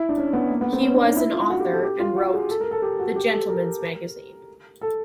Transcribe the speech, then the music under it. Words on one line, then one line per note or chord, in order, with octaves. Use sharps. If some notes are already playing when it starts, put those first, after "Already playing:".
He was an author and wrote for "The Gentleman's Magazine".
Already playing: E4
D4
C#4
B3
A#3
B3
C4
C#4
D4
D#4
E4
F4
F#4
G4
A4
G4
F4
F#4
G#4
A4
A#4
A4
G4
F#4
G4
A4
A#4
A4